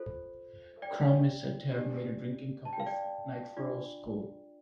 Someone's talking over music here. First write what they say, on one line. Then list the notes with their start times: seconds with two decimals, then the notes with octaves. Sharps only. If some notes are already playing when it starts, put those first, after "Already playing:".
Krum is said to have made a drinking-cup of Nikephoros' skull.
Already playing: F4 A4 C5
0.82 D5 G5
1.74 D4 G4 D5
2.65 A5
2.73 G5
2.80 F5
2.87 D5 G5
3.57 D4 F4 D5